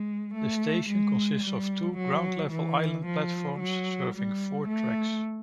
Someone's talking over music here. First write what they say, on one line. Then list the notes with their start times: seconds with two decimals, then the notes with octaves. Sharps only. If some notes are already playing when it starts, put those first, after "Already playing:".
The station consists of two ground-level island platforms serving four tracks.
Already playing: G#3
0.34 A3
0.89 G#3
1.43 G3
1.97 F#3
2.51 E3
3.05 F3
3.59 F#3
4.14 G3
4.68 A3